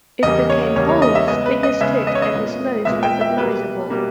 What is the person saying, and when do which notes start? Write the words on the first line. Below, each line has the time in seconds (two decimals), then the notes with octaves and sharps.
It became Holmes' biggest hit, and his most recognizable.
0.23 E2 C#3 G3 A#3 D#5
0.50 C#5
0.76 E2 C#3 G3 A#3 C#5
0.89 C#5
1.02 D#5
1.15 E5
1.28 C#3 G#3 B3 D#5
1.46 B4
1.63 D#5
1.81 C#3 G#3 B3 E5
2.07 D#5
2.15 C#5
2.22 D#5
2.34 A#2 G#3 B3
2.85 A#2 G#3 B3 E5
3.03 G5
3.21 E5
3.38 B2 G3 A#3 B4
3.90 B2 G3 A#3